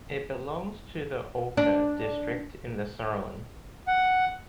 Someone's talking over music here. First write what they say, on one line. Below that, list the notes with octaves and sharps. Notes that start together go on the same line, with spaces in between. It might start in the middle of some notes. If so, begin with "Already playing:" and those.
It belongs to the Olpe district in the Sauerland.
D4
F#5